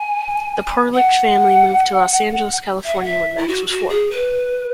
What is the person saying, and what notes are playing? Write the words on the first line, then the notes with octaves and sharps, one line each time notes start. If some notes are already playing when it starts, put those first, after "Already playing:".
The Perlich family moved to Los Angeles, California when Max was four.
Already playing: G#5
F#5
E5
F#5
E5
E4
F#4
F#4
G#4
B4